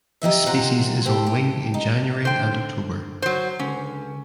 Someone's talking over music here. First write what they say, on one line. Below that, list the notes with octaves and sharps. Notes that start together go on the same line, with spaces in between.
This species is on wing in January and October.
D#4 G4 D#5 E5
C3 F4 A#4 F#5 A#5
G4 A4 C5
G4
D#4
D3 C5 G5
F#3 C5
C#2 D3 C#4